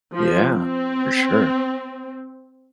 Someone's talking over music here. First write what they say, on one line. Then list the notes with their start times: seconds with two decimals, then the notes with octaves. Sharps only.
Yeah. For sure.
0.14 F3
0.51 C4